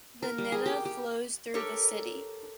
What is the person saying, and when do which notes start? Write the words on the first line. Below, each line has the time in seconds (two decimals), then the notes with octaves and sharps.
The Nidda flows through the city.
0.22 A#4
0.38 G3
0.52 G#4
0.66 G4
0.85 G4
1.54 G4 A4 A#4 C#5